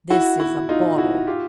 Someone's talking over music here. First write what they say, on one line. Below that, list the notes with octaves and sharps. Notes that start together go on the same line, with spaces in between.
This is a bottle.'
E4 F#4
E4 F#4
D#4 F4
E4 F#4
F4 G4